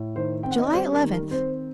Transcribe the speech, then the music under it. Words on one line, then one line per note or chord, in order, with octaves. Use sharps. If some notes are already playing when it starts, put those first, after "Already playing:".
July Eleventh.
Already playing: A2
D#3 C5
C4 G5
F#5
D#5
D5
G3 C5
A#4
D#3
A#4
C4 C5